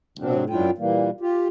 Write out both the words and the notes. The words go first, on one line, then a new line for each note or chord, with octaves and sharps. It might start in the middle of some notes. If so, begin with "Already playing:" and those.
Oh, yeah.
C3 F#3 C4 D4
F#2 F#3 D4 E4 F4 G5
A#2 E3 G3 A#3
F4 G4